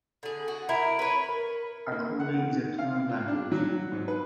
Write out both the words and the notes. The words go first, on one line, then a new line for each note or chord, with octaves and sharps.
Acoli is a tonal language.
D3 G#4
F#4
E4 A#4
B4 C#5
A#4
A#3
F#5
D#3
F5
F4
D4
F#3
G#2
B4